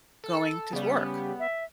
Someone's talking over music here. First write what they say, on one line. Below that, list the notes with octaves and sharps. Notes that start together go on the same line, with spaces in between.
going to s work.
A4
C#3 G3 B3
E5